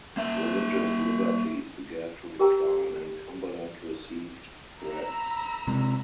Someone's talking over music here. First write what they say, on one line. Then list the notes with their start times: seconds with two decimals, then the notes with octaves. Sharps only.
Religious liberties began to decline and Cumberland received threats.
0.17 A#3 E5
2.39 G4 A#4 G5 G#5 A#5 E6
4.80 A#5 B5 E6
5.67 C3 G#3